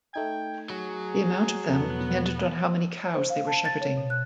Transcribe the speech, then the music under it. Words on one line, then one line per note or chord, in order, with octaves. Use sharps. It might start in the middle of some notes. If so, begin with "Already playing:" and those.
The amount of them depended on how many cows they were shepherding.
A3 D#4 G5 G#6
F#3 G#4
E2 B2 B3 A4
C5
F5
A5
A6
C#5
B2
F#6